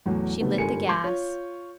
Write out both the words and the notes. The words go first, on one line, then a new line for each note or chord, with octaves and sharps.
She lit the gas.
E2 A2 E3 F#3
C3 D#3 F#3 A3 B3
G1 G#2 G3 A#4 G#5 C#7
C6 D6 G6 G#6
F4 C#5